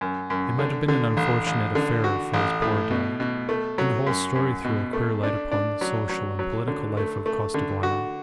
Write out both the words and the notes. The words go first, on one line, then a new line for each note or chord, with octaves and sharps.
It might have been an unfortunate affair for his poor dad, and the whole story threw a queer light upon the social and political life of Costaguana.
F#2
F#2
D3
D3
A1
A1
D3
F#4
A1
A2
B2
B2
A3
F#3
F#2
F#2
B2
A3
D4
D4
F#3
F#3
F#3
D3
A3
A3
D3
F#4